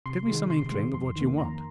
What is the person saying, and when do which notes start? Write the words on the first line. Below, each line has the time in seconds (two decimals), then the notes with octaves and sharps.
Give me some inkling of what you want.
0.06 C3 C6
0.28 D#3 G#3
0.50 C3 C6
0.72 D#3 G#3
0.93 F2 C6
1.16 D#3 A#3
1.38 F2 A#5